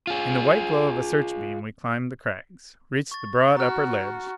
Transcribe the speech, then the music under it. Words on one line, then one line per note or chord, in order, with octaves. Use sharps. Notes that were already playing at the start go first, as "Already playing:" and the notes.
In the white glow of a searchbeam we climbed the crags, reached the broad upper ledge.
F4 G#4
C#6 A6
F#4 A#5 F6